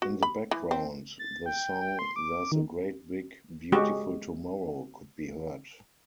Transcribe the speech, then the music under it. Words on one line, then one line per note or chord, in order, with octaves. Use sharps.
In the background, the song "There's a Great Big Beautiful Tomorrow" could be heard.
F#4
B5
E3
C4
A6
G5
G5
C6
D6
D#3
G#3 F#4 G4